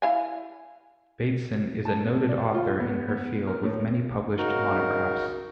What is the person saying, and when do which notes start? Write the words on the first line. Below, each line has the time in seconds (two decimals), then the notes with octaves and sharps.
Bateson is a noted author in her field with many published monographs.
0.02 E4 F5 G#5
1.85 A5
2.29 D5
2.54 F4
2.80 B3
3.09 B3
3.47 A#4
3.63 A2
4.38 C#3 D#4 F#4 A#4